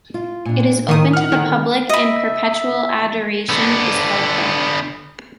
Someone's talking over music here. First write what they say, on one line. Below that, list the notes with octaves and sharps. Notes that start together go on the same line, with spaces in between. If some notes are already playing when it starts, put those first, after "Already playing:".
It is open to the public and perpetual adoration is held there.
F4
A#2 D4
A2 D#3 D#6
F#5 F6
D3 D#3
D#5 E5 B5
D3 B3